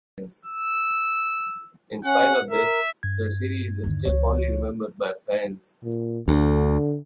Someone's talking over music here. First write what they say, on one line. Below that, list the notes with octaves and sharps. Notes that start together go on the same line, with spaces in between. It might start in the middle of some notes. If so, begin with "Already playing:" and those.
In spite of this, the series is still fondly remembered by fans.
E6
C#4 F#5
A#4 E5
G2 G#6
D#2 D3
C#2 E3 C#5
A#2
D2 D3